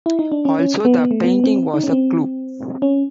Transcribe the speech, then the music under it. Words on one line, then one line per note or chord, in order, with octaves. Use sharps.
Also, the painting was a clue.
E4
D#4
D4
C#4
C#4
B3
B3
A3
B3
C4
D#4
C#4
C4
C#4